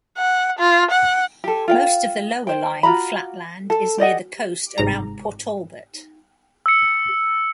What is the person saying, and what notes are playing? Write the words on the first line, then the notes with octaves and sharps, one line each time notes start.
Most of the lower lying flat land is near the coast around Port Talbot.
F#5
F4
F#5
G4 A4
F4 F5 G5
C5 G5
F4 F#4 A#5 B5
A4
G4 D5 D#5 F#5
G1 G#2 C3 A#5
E6 C#7